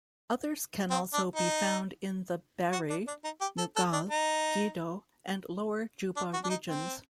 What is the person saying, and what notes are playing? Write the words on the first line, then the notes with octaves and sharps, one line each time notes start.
Others can also be found in the Bari, Nugal, Gedo, and Lower Juba regions.
C4
D4
D#4
F#4
D4
D4
D#4
G4
A4
A4
D4
D#4
D4
F#4
D4
D#4
C4